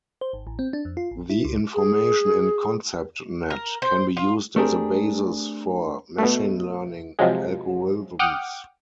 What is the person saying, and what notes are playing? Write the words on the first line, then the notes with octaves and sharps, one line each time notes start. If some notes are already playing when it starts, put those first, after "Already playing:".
The information in ConceptNet can be used as a basis for machine learning algorithms.
C5
G#1
A1
C4
D4
F2
F4
A1
E4
C#2
G#4
A#4
C5
F4
A3 C4 D4 G4 G#4 A#4
B2 A3
C3 F3 F#3 G#3
F#5 G5 D6 D#6 F6